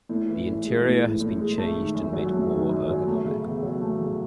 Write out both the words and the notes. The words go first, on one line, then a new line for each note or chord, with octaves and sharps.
The interior has been changed and made more ergonomic.
A2
E3
A2
G#3
A2
E3
A2
G#3
A3
D#3
F#2
F#3
A3
D#3
F#2
F#3
A3
C#3
E2
F#3
A3
C#3